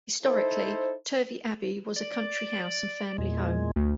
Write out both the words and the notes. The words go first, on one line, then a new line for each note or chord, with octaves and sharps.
Historically, Turvey Abbey was a country house and family home.
D#4 E4 A4 C5
D5
E2 A#2 G#3
D2